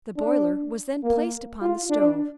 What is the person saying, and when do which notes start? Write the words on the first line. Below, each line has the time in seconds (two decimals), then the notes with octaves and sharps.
The boiler was then placed upon the stove.
0.17 D4
1.03 A#3
1.61 F4
1.90 D4